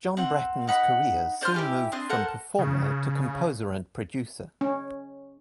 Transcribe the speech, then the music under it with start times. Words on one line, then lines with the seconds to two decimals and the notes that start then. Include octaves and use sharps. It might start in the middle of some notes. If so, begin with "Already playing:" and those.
John Bratton's career soon moved from performer to composer and producer.
0.17 C4 F#5
0.67 D#4 F#5 B5
1.41 D4 C5 C6 F6
1.54 E4 G4 G#5
1.92 C4 D4 C6 D#6
2.09 A4 A#4 C5 F#5
2.58 C#3
4.61 C#4